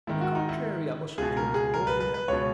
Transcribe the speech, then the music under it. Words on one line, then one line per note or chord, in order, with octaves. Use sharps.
On the contrary, I must do it more than ever.
G#2 D#3 E4
F#4
D#4
E4
C#2 B2 G#4
A#4
G#4
A#4
B4
B4
B4
C#2 B2 C#5